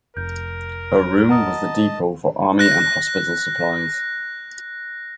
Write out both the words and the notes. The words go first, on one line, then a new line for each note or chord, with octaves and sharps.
Her room was the depot for army and hospital supplies.
F1 A#4 G6
D#5 F#5 A5 A#5 D#6
F#6 A#6